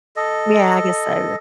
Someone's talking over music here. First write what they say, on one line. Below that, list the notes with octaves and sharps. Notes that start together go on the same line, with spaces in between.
Yeah. I guess so.
A4 D#5